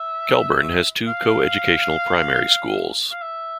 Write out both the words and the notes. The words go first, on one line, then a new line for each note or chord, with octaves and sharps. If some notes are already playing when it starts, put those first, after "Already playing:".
Kelburn has two co-educational primary schools.
Already playing: E5
F5
F5
E5